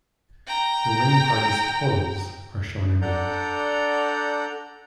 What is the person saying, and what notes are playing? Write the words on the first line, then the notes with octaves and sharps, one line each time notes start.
The winning party's total's are shown in bold.
G5 A#5
D4 A4 D5 F#5 A#5 G6